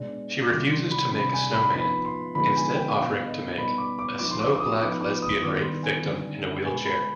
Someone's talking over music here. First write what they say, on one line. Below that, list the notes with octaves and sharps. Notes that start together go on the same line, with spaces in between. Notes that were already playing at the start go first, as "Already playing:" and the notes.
She refuses to make a snowman, instead offering to make a snow-black-lesbian-rape-victim-in-a-wheelchair.
Already playing: B2 G#3 D4
C3 D#3 G3 D6
C6
B5
C3 G3 D4 B5
G#5
B5
F3 B3 D#4 B5
C6
D3 F3 G#3 B3 D#4 B5
G#5
G5
B2 B3 D4 F5
F5
D#5
B2 G3 B3 D#4 B5
D6
D6
F3 B3 D#4 D6
C6
D6
D6
D#6
F3 B3 D#4 D6
D6
D#6
D#3 G3 B3 D4 D6
C6
G#5
D3 G3 C4 D#4
B2 G#3 B3 G#5
B5